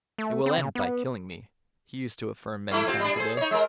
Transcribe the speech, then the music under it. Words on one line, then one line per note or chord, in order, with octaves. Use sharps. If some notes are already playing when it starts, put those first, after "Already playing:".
"It will end by killing me," he used to affirm many times a day.
A3
C4
C#3
B3
F3 A3 E4
C4 F4 G4
G3 D4
G#4 A4 C5
D#4 C#5
G#3 A#4